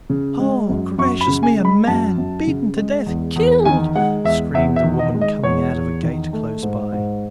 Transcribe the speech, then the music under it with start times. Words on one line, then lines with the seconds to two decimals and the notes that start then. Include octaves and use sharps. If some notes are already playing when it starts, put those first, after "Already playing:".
"Oh, gracious me, a man beaten to death--killed!..." screamed a woman coming out of a gate close by.
0.10 C#3
0.39 G#3
0.69 F#2
0.98 F#2 C#6
1.21 B5
1.28 C#3
1.43 G#5
1.57 G#3
1.65 B5
1.87 F#2 A5
2.18 F#2
2.47 C#3
2.77 G#3
3.06 E2
3.36 E2
3.65 D#3 G#5
3.95 G#3 F#5
4.24 E2 E5
4.54 E2 E5
4.76 E5
4.84 D#3
4.99 D#5
5.14 G#3
5.21 D#5
5.43 E2 C#5
5.73 E2
6.03 D#3
6.33 A3
6.63 G#2
6.92 G#2